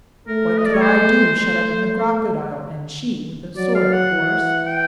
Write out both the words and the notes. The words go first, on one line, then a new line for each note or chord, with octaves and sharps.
"What could I do shut up in the crocodile, and she with a sword, of course?"
A3 A#4
D#5
D5
C#5
C5
A3 C5
F#3 D5
F5
F#5
E3
G5